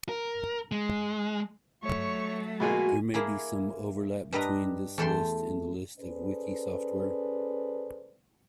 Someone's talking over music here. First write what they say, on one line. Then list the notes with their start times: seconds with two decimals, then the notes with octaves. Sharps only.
There may be some overlap between this list and the list of wiki software.
0.09 A#4
0.72 G#3
1.83 F#3 A3 C#5 C#6
2.60 B2 G#3 A#3 F#4 G#5
3.14 A#3 E4 G#4
4.32 G2 G3 B4 D#5 A#5
4.98 E2 A3 A4 G5 C6
5.98 C#4 G#4 A4 B4 C5 D5